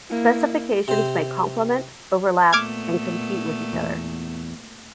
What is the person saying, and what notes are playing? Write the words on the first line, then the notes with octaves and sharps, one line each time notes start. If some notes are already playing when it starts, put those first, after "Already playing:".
Specifications may complement, overlap, and compete with each other.
A#3 E4
C3 C5
A#2 A3 B3 D6 F6 G#6
E2